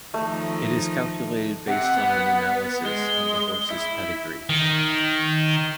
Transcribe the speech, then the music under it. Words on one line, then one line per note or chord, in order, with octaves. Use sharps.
It is calculated based on an analysis of the horse's pedigree.
D#3 F3 A3 D#4
C3 F#5
B3
G#3 G7
E4
D#3